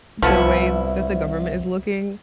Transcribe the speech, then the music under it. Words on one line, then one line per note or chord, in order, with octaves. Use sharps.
the way that the government is looking,
C2 F3 B3 E4